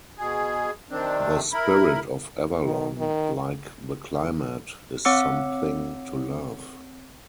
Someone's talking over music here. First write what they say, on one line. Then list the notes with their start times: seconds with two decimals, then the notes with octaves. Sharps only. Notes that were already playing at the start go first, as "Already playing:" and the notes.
The spirit of Avalon, like the climate, is something to love.
0.18 B2 G#4
0.90 C3 D#3 C4 D4
1.52 E4 A#4 B5
2.65 D#3
2.99 D#3
5.05 C4 C#5 F#5 D6 E6 C#7